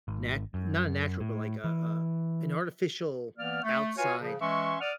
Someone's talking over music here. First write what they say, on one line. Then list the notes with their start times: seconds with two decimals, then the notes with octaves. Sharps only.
nat not a natural, but like a a an artificial, outside
0.08 G#1
0.54 F#2
1.21 A2
1.64 E3
3.38 E3 A#3 B3 D5 F6
3.63 A3
3.97 F4 F#4 B4 C#5 F5 G#5
4.20 C#3 F3
4.40 E3 G#3 C#4 E5 C6 C#6
4.81 D5 F#5 D#6 F6